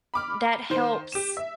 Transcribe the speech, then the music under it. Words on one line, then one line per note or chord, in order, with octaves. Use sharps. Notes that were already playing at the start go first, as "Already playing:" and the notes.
that helps,
B5 D6 F6
D#3 C5
G4 E7
E5